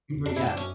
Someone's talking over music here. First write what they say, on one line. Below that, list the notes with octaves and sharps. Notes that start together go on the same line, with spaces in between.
M great, yeah.
E2
F#2 D4
E4
D4
C#4